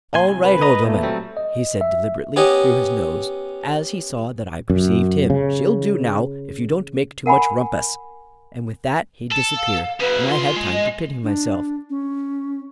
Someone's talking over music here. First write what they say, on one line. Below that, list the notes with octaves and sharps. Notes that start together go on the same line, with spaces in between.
"All right, old 'ooman," he said deliberately through his nose, as he saw that I perceived him, "she'll do now, if you don't make too much rumpus." And with that he disappeared, and I had time to pity myself.
A#2 G#5 C6
C2 G#5
B4
D#5 A#5
A#2 A3
F#3 G3 C4
D#5
E5
B3 C#4 G4 C#5 D#5
F#2
C#3
A#4 F#5 G#5 B5
A4
F5
F#2 C#3 B4
E3 F4 C6
G#3
D#5
D4
C#4